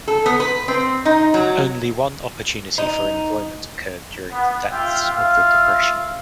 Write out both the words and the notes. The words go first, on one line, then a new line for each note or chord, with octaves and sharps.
Only one opportunity for employment occurred during the depths of the depression.
A4
B3
B4
C4
D#4
F#3
D#4
B3
F4 G4 E5 F5 G5
F4 E5 F5